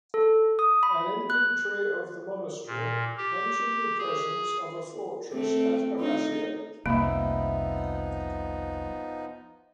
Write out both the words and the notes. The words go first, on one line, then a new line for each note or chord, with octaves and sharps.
An inventory of the monastery mentioned the presence of a fortress at Arasio.
A4
D#6
B5
F#6
A#2
G4
G#4
A3 C4
D#4
F1 C2 F3 A#3 B3 D#4 E5 B5